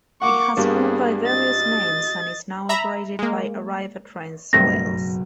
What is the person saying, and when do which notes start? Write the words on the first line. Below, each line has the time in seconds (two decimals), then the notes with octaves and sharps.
It has gone by various names and is now operated by Arriva Trains Wales.
0.22 A#3 F#5 C#6 D6
0.57 G2 G3 A#3 B3 G#4
1.26 D#5 A6
2.69 E5 A#5 B5
3.19 G#3 A#3
4.53 F#1 B1 G2 B2 A3 C4 A#6